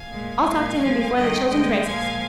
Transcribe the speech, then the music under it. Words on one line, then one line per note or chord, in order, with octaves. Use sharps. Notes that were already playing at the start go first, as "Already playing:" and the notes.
I'll talk to him before the children's races.
Already playing: F5 G#5
A#2 G#3
A#2 G#3 F5 G#5
G2 F3 G#3
G2 D#3 G3 D#5 G5
D2 D3 G#3 D#5 G5
A#2 F3 G#3 F5 G#5